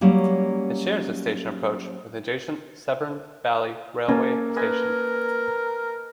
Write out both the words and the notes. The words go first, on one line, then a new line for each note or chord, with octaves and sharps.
It shares its station approach with the adjacent Severn Valley Railway station.
F#3 G3 A#3 C#4
A#3 C#4 A4 G#5
A#4 B4 D#5 G#5